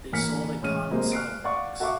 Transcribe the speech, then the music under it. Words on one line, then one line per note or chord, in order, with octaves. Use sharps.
They sold in common soil products.
A1 A#3 G#5 F6 B6 C#7
A2 E3 G#3 C#4 F6 D#7
C3 F#3 G#3 A#3 C4
F6 F#6 C7 D7
D5 F5 F#5 C#6
F#4 A4 E5 F5 C#6 D6